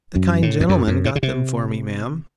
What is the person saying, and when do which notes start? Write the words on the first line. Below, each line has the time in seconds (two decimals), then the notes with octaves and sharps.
"The kind gentleman got them for me, ma'am."
0.16 F#2
0.42 A2
0.60 F2
0.69 F#2
0.87 F#2
1.05 A2
1.16 C#3
1.23 C3